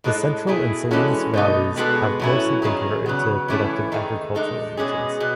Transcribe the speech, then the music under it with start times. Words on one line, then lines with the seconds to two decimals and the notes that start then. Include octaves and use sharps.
The Central and Salinas valleys have mostly been converted to productive agricultural regions.
0.04 A2 G#3 D#4 A4
0.47 B2 A3 E4 G#4
0.91 E3 G#3 C#4 F#4 A4
1.34 B2 A3 D#4
1.76 B2 G#3 B3 F#4 A4
2.20 A2 F#3 C#4 E4
2.62 D#3 F#3 C#4 G#4
3.06 C#3 F#3 B3
3.48 E3 A3 C#4 E4 A4
3.92 D#3 A3 D#4 G#4
4.35 G#3 D#4 A4
4.77 B2 G#3 C#4 G#4
5.20 B2